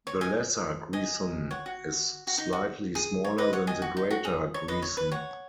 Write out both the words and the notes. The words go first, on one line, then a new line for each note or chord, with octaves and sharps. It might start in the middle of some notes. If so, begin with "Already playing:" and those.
The lesser grison is slightly smaller than the greater grison.
C#5
D#5 G#5
D#5 G#5
C#5 F#5
F#4
F#4
D#4
F#4
G#4
C#5
B4 D#5
C#5 F#5
D#5 G#5
F#4
D#4
F#4
G#4
C#5
B4 D#5
C#5
B4
C#5 F#5